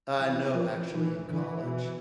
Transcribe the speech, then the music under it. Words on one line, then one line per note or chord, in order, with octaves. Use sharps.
Uh, no actually, in college
E3
F3
D#3 E3
D3 E3
B2